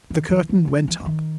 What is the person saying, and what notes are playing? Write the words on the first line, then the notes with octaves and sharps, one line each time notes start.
The curtain went up.
D#3
E3
F3
F#3
E3
E3
D#3